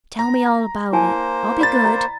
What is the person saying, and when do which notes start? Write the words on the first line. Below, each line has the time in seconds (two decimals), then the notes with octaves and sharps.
"Tell me all about it; I'll be good."
0.19 A#5
0.93 A#3 E4 C5 G#5 A5
1.61 D5 B5 A6
1.85 A#5